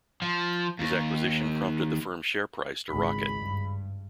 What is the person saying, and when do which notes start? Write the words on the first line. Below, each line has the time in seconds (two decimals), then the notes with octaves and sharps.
His acquisition prompted the firm's share price to rocket.
0.22 F3
0.79 D#2
2.90 G#1 C#2 G#3 B5
3.37 G2